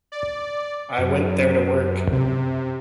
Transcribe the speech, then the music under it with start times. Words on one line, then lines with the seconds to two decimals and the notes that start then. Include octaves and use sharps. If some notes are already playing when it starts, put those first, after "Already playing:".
I went there to work.
0.12 D5
0.98 F#2
2.12 C3